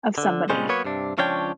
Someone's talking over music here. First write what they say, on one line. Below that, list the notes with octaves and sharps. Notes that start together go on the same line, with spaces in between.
of somebody.
D3
A#2 C#3 G3 G#3 C#4 C5
F#3 A#3 B3 B4 C#5
G2 C3 D4
C#2 F3 C#4 D4 C#5 G5